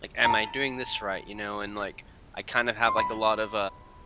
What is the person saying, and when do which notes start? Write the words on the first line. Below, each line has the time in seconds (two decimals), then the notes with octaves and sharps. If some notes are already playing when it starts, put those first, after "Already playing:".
like, "Am I doing this right," you know, and, like, I kind of have, like, uh, lot of
0.25 A#5
0.30 A5
2.87 C6
2.98 B5